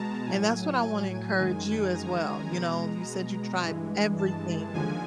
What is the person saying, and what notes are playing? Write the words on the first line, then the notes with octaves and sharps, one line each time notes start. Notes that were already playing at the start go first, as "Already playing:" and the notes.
and that's what I wanna encourage you as well, you know? You said you tried everything,
Already playing: B2 G#3 A5 A#5
A2 F#3 G#5
F#2 D#3 G#3 G#5
A#5
B2 G#3 A#5
G2 E3 G#3
A5
D#2 D3 F3 G#3 G#5